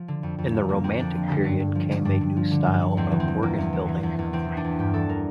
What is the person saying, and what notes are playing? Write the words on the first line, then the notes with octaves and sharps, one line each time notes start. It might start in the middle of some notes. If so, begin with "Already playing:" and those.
In the Romantic Period came a new style of organ building.
Already playing: F3
D3
F2
F2
F3
D3 A#3
F2 C4
F2 D4
F3
D3
G2
G2
F3
D3
G2 D4
G2
F3
D3
G2
G2
E2 C4
E3
C4
E3
E2 A#3
E2
E3
E3
E2
E2
E3 C4
E3
D4
E2
G2 G4
E3 A4
E3 A#4